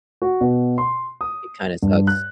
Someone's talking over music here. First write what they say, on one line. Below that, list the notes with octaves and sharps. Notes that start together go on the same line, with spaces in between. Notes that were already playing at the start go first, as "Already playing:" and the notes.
it kinda sucks,
F#4
B2
C6
D#6
G2
F#6